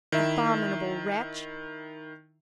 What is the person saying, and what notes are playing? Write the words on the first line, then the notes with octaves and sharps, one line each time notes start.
Abominable wretch!
D#3 E4 E5